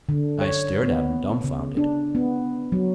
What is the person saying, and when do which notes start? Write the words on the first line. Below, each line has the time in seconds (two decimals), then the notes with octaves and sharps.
I stared at him dumfounded.
0.09 D3
0.41 C#5
0.83 B3
1.44 C#3
1.77 D4
2.15 B3
2.72 F#3